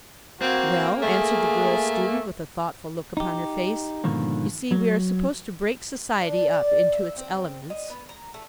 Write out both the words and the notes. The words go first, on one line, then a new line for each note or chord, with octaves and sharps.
"Well," answered the girl student with a thoughtful look upon her face, "you see, we are supposed to break society up into its elements."
A#3 C4 F#4
A3 G#4
D#4 G4
G#2 B2 D3 D#3 F3 A#3
F#3
D4
D5
E5
C4
D#5
B3
A#5
A3